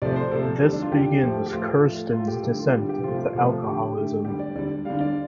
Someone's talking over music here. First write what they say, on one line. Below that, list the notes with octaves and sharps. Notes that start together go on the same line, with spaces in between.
This begins Kirsten's descent into alcoholism.
C3 F3 A3 D5
C5
C3 F3 A3 A4
D3 G3
D4
F4
D3 G3 G4
A2 F3 A3
G4
A2 F3 A3 F4
A2 A3
A2 A3 F4
G4
D3 G3 A4
F4
D3 G3 G4
G4
C3 F3 A3 F4
F4
C3 F3 A3
D3 A3 G4
D3 A3
D3 G3 G4
D5
D3 G3 D5
D3 G3 F5
D5